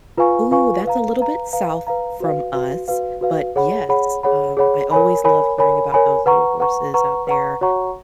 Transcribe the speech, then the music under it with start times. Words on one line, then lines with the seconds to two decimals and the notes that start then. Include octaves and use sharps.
Ooh, that's a little bit south from us. But, yes, um, I always love hearing about those little horses out there,
0.18 F4 B4 F5 G#5 C#6
0.51 F4 B4 F5 G#5 C#6
0.85 B4 F5 A#5
1.19 B4 F5 A#5
1.53 B4 F5 A#5
1.87 B4 F5 A#5
2.20 F#4 B4 F5
2.54 F#4 B4 F5
2.88 F#4 B4 F5
3.21 F#4 B4 F5
3.56 G#4 C#5 F#5 B5
3.89 G#4 C#5 F#5 B5
4.23 G#4 C#5 F#5 B5
4.57 G#4 C#5 F#5 B5
4.91 A#4 C#5 G#5 B5
5.24 A#4 C#5 G#5 B5
5.58 A#4 C#5 G#5 B5
5.92 A#4 C#5 G#5 B5
6.26 B4 F#5 A#5 C#6
6.60 B4 F#5 A#5 C#6
6.94 B4 F#5 A#5 C#6
7.27 B4 F#5 A#5 C#6
7.61 F#4 C#5 F#5 A#5 C#6